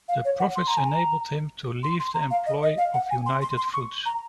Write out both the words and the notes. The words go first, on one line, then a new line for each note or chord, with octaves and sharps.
The profits enabled him to leave the employ of United Fruits.
F5
C#5
F#5
C6
A#5
G#5
A#5
C6
C6
A#5
F5
D#5
D#5
F5
F#5
G#5
C6
C6
C6
C#6
A#5